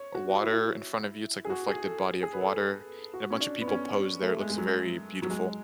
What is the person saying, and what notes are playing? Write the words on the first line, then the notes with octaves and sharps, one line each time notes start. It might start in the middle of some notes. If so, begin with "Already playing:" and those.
water in front of you it's, like, reflected body of water, and a bunch a people pose there, it looks very beautiful.
Already playing: C#5
F#4
F#4
E4
G#4
F#4
G#4
A4
G#4
B4
A4
F#4
C#4
D4
B3
C#4
A3
G#3
G#3
F#3
F#3
G#3